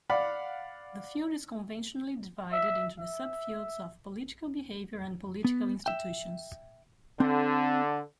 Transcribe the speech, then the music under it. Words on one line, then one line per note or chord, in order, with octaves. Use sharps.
The field is conventionally divided into the sub-fields of political behavior and political institutions.
D5 F5 F#5 B5
E5
E5
B3
E5 G5
D3 C4